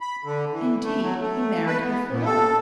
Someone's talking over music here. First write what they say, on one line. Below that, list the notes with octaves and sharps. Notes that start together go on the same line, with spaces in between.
Indeed, he married her for love.
B5
D3
E3
A3
F#3
A3
B4
B3
A#2
A4